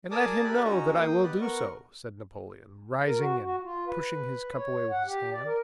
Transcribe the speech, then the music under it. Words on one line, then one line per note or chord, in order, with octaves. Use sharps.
"And let him know that I will do so!" said Napoleon, rising and pushing his cup away with his hand.
G#4 A#4 D5 A5 D6 D#6
G4 A#4 D5 E5 B5 F#6
C#4 D#4 F#4 A#5
A#3 G5 D#6
B3 G4 B4 D5 D#5 F#6
B3 A#4 F#5 C#6
A#4
F#4
F#4
F4
B4
C#5
F#5
G4
D5
A#4